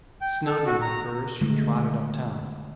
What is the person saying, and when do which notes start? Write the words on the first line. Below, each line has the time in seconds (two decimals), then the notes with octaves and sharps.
Snug in her furs she trotted up-town.
0.21 G5
0.46 A4
0.66 F#4
0.82 A#5
1.41 D3 D#3 G#3 A3